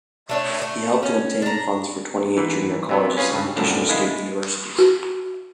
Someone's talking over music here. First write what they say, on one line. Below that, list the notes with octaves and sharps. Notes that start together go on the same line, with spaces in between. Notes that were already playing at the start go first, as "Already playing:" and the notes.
He helped in obtaining funds for twenty-eight junior colleges and additional state universities.
A3 D4 C#5
A3
C#4
D4 A#5
G#2 E3
C3 F#3 B3
C#4 F4 G#4 B4 C#5
C#2 G2 C#3
C2 F#2 A2 D3 F3
D#3 G#3 E4 F4 D#5
F#4